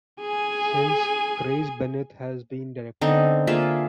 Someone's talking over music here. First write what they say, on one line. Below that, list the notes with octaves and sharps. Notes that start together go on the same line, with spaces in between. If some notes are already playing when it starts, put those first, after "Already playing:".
Since Craig Bennett has been director.
G#4 G#5
D3 B3 C4 D#4
A#3 F4 G#4 E5